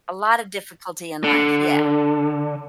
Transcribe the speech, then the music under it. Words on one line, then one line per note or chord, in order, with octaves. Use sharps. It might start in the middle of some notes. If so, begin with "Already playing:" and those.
A lot of difficulty in life, yeah,
D3